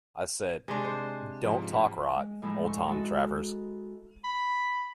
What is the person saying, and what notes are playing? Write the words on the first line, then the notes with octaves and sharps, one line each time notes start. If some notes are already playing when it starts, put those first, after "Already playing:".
I said, 'Don't talk rot, old Tom Travers.'
C3 G#3 D4 G#5 C6
C5
G#2 F3
G#3
A2 F3 G#3 A3 D#4 E4
C6 C#6
G#3 D#4 E4 F#4 A4
B5